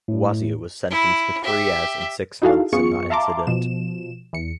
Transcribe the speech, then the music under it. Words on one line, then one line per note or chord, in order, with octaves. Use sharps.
Wazir was sentenced to three years and six months in that incident.
A2
E4
G4 E5
D#4 E4 F#4 G#4 A4 F5
F#2 B3 F4 G#4 C#6 C#7
E5 F5 A5 A#5 C6 D6
B2 F3 E7
E2 C#7